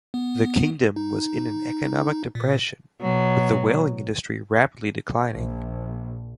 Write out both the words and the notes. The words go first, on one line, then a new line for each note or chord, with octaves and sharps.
The Kingdom was in an economic depression, with the whaling industry rapidly declining.
B3
D#4
A#2
B2 F#3
A#1